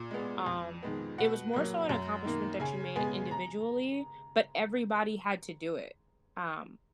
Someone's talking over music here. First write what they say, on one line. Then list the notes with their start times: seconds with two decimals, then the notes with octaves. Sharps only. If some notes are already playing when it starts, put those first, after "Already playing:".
Um, it was more so an accomplishment that you made individually, but everybody had to do it. Um,
Already playing: A#2
0.11 G#3 B3
0.46 F2
0.83 D#3 G#3 B3
1.18 B2 F#5
1.54 F#3 A#3
1.89 F#2
2.25 D#3 A#3
2.60 C#3 G#5
2.96 G#3 B3 G#5
3.31 A#5